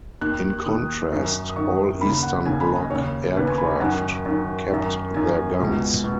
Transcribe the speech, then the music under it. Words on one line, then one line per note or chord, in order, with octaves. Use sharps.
In contrast, all Eastern Bloc aircraft kept their guns.
D#2 D#3 F#6
D#2 D#3 D#6
F#2 D#3
D#6
F#2 D#3 C#6
D#2 C#3 B5
F#5
D#2 C#3 G#5
B5
D#5
D#2 C#3 C#5
D#2 C#3 B4
G#5
B5
F#2 D#3 F#5
F#2 D#3
F#2 D#3
F#2 D#3 G#5
C#2 B2
B2